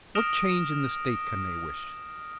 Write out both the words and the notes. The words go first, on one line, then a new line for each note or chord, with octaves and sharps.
What change in the state can they wish?
D#6 F6 A#6 D7 E7